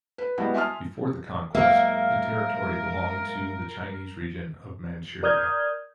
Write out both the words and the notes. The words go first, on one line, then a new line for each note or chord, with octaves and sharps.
Before the conquest, the territory belonged to the Chinese region of Manchuria.
B4
G3 G#3 B3 E4 F#4
E5 G#5 A5 C6 D#6 F6
G#2 F#3 A#3 A#4 E5 F5
A#4 D5 D#6 F6 G6 G#6